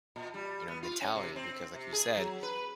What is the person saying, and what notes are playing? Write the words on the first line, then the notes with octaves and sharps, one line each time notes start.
you know, mentality because like you said,
A#2
G3
B3
F4
C#4
C3
C4
C3
G#4
F#3
B4